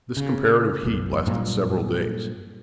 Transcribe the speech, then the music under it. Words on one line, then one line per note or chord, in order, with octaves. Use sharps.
This comparative heat lasted several days.
C#3
F#1 B1
G2 A#2 F#3 A#3